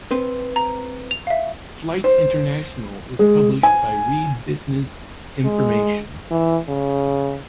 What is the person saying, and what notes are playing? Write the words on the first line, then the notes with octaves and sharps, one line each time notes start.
"Flight International" is published by Reed Business Information.
C4 B4 C5
A#5
F7
E5 F5
C5
G#3
G#5
G#3
E3
C#3